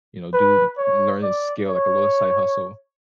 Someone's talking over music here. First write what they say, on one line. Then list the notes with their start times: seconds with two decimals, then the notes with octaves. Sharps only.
You know, do learn a skill, like a little side hustle,
0.33 B4
0.78 C#5
1.23 D5
1.68 C#5